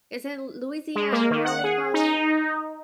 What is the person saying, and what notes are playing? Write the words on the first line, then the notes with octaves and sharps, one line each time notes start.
it's in Louisiana; what do they call it?
G#3
A#3
D#3
F#5
G#4
D#4